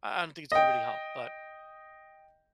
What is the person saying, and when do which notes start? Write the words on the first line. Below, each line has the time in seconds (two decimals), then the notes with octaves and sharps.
I I don't think it's gonna really help. But
0.52 D#5 G5